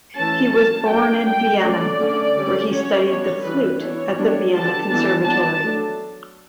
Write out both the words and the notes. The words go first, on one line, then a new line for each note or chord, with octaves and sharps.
He was born in Vienna, where he studied the flute at the Vienna Conservatory.
E3 A3 C#4 A5
F#3 C#4 A5
F#3 B3 D4 G5
G3 D4 G5
F#3 A3 C#4 D5
D3 A3 C#4
D3 G3 C#4
F#3 C#4 C#5
G3 B3 D4 C#5
E3 G3 D4 B4
E3 B3 D4 C#5
G3 B3 D4
D3 G3 B3 D4 A5
E3 G3 B3 D4 A5
F#3 B3 D4 A5
F#3 A3 D4